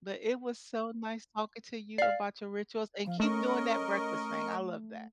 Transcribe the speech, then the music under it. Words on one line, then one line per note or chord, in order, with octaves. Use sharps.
But it was so nice talking to you about your rituals, and keep doing that breakfast thing, I love that.
D5 F5 C7
F3 F5
A3 C#4 A#4 D#5 C#6